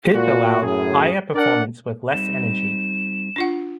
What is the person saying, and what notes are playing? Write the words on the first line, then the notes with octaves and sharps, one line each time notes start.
This allows higher performance with less energy.
A#2 F#4
F#2 A2 G#4
D4 A#4 D5 F#5
G3 C4 D#4 E7
D4 F4 F#5